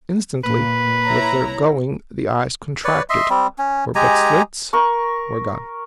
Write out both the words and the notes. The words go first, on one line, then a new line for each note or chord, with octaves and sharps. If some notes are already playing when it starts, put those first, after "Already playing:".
Instantly with their going, the eyes contracted; were but slits; were gone.
A#2 B4
E4 C#5 A#5
B4 C#5 D5
D#5 E5 C6
G3 C4
C#4
G#3 G4 G#5 A#5
A#4 C#6